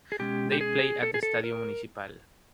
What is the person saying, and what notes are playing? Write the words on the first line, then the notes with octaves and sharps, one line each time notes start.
They play at the Estadio Municipal.
G#4
B2 G#3 C#4 G4
G4
G#4
A4
G#4
A4
A#4